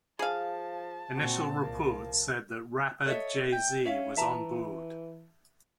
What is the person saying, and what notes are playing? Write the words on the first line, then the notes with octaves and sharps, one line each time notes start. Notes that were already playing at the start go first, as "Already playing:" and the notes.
Initial reports said that rapper Jay-Z was on board.
F3 G#4 F5 A5
A#2 C4 F#4
C2 F3 A#3
A4 C#5 D#5 E5
G5
C#4 C#5 E5 F5
E3 E5 A5 A#5